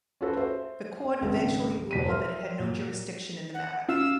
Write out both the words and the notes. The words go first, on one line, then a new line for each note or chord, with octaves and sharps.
The court eventually ruled that it had no jurisdiction in the matter.
C#4 F4 F#4 A4 B4 C5
C5 E5
G#1 C#2 G#2
E1 B6 D#7
A#4 E5 C6 F6
A#2
F#5
C#4 F4 E6